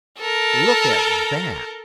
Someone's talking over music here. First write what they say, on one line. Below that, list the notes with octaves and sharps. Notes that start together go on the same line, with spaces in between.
"Look at that!"
A4 A#4